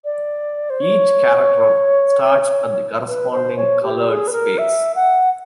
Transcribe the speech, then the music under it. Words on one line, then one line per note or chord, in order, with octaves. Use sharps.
Each character starts at the corresponding coloured space.
D5
C5
C#5
B4
C5
C#5
G4
G#4
B4
A#4
E5
F#5